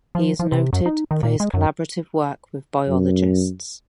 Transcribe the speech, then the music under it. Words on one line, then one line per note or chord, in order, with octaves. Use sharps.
He is noted for his collaborative work with biologists.
F3
F3
C3
F#2
D#4
D#3
A#2
G#3
F#2
F#2